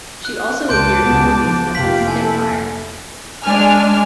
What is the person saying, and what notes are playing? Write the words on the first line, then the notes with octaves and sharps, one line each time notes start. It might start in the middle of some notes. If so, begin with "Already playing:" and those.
She also appeared in movies such as "Spit Fire".
F#6
C#2 A5 C6 D6 G6 D7
C#2 B3
F3
F1 A#3 F4 G4 B6 F#7
E4 A4 G#5
G#3 D4 G#5 F6